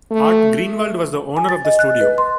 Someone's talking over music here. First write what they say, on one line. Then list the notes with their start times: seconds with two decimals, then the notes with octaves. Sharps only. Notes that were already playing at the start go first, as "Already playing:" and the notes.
Art Greenwald was the owner of the studio.
0.11 A3
1.37 G#5
1.49 A6
1.65 D#5
1.79 F#6
2.01 B4
2.18 C6